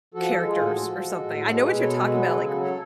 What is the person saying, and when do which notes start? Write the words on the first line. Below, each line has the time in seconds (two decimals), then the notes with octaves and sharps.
characters or something, I know what you're talking about, like,
0.14 F3 F#4 A4
0.36 G#3 A4
0.46 F4 G#4
0.58 A2 F#4 A4
0.80 F3
1.01 G#3
1.23 A2
1.45 G#3 F#4 A4
1.57 A4
1.62 G#4 B4
1.68 B2
1.79 A4 C#5
1.89 G#3
1.95 G#4 B4
2.11 F#3 F#4 A4
2.27 G#4 B4
2.33 C#3
2.44 F#4 A4
2.55 F#3
2.60 A4 C#5